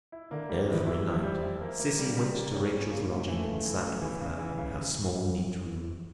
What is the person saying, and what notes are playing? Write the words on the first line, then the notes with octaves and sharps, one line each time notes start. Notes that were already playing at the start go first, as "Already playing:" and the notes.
Every night, Sissy went to Rachael’s lodging, and sat with her in her small neat room.
E4
D3 A#3
G3
E3 G3
E4
F3 G3
G3
E4
A#3
A#3
G3
G3
A#3
G3 C#4
C#4
C#3 A#3
C#3
E3 A3
C#3
E3
C#3
E3
C#3
E3
C#3